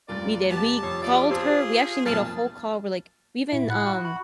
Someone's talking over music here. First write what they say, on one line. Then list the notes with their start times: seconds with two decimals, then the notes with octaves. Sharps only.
We did, we called her, we actually made a whole call where, like we even, um
0.08 F1 G2 F4 D5 A6
0.50 B3 G4 A5
0.83 F2 C#5
1.03 F4 D5
1.31 G#4 C5 A5 E6
2.06 B1 F2 A#2 A5 F6
3.52 A2 E4 E5
3.70 F#5 B5
3.86 F#4
4.05 B5